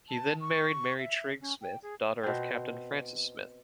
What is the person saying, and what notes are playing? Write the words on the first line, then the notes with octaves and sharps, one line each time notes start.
He then married Mary Trigg Smith, daughter of Captain Francis Smith.
A5
C#6
E5
C#4
G5
G#4
B2 C4